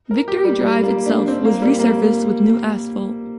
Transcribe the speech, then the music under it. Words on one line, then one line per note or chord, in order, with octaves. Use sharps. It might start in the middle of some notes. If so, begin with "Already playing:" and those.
Victory Drive itself was resurfaced with new asphalt.
A#4
G4
G3
G3
A#3
D4
C4
A#3
G3
A#3